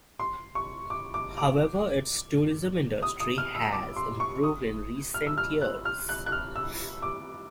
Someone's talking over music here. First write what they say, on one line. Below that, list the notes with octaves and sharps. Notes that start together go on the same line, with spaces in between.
However, its tourism industry has improved in recent years.
C6
C#6
D6
D6
D6
D#6
D#6
F6
E6
D6
C6
C#6
D#6
F6
E6
F6
F#6
F6
F#6
F#6
F6
E6
D6